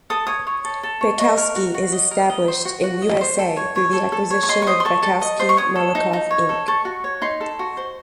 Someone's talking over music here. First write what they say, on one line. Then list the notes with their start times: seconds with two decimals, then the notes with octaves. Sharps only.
Baikowski is established in USA through the acquisition of Baikowski Malakoff Inc.
0.10 A4 D#6
0.27 C#5 D#6
0.47 C#5
0.65 A4
0.83 A4
1.01 C#5
1.19 D#5 C#6
1.37 A#4
1.56 F#4
1.74 F#4
1.93 D#5
2.11 A#4
2.30 D#5
2.48 C5
2.65 F#4
2.83 F#4
3.02 D#5
3.21 C5
3.39 A4
3.57 C#5
3.76 C#5
3.93 A4
4.12 A4
4.31 C#5
4.43 C#6
4.48 D#5 C6
4.62 C#6
4.67 C5 D#6
4.80 C6
4.85 A4 C#6
5.03 A4
5.21 D#5
5.40 C5
5.49 C#6
5.57 C#5 D#6
5.75 A4
5.95 D#4
6.13 D#4
6.31 C#5
6.49 A4
6.68 A4 C#6
6.85 F#4
7.04 C#5
7.22 D#4 C6
7.41 A4
7.59 F#4
7.77 C5